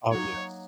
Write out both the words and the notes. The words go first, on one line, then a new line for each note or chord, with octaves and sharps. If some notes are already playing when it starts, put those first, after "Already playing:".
Oh, yes.
F#3 A#3 D#4 C#5